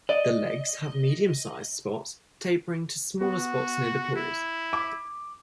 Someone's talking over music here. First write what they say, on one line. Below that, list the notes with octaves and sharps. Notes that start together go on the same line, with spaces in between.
The legs have medium-sized spots tapering to smaller spots near the paws.
D5 D#5
B3 F#4
E4
D6